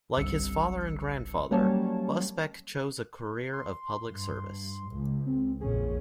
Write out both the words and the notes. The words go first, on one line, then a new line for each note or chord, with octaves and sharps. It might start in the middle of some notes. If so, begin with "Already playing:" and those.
Like his father and grandfather, Busbecq chose a career of public service.
G1 C2 E6 C#7
F#3 G3 A#3 C#4 C#5 A5
C6
G2
C#2
C4
A#1 F2 C#4 G#4